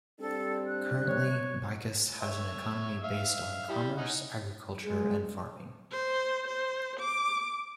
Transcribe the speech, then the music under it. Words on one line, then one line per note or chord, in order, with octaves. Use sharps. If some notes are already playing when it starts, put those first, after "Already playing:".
Currently, Bicas has an economy based on commerce, agriculture and farming.
G3 C4 D4 A4
F#6
C#5
C#5 E5
E5 F5
G3 E4
C#4 D#4 F#5
G#3
C5
C5
D6